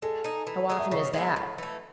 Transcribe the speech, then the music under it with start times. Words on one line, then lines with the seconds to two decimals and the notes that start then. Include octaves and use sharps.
"How often is that?"
0.02 G#3 A4
0.24 D#4 G#4
0.47 E3
0.69 G#3 D#4 G#4
0.79 E5
0.91 C#3 D#5
1.13 G#3 B3 E4
1.36 A2
1.58 E3 A3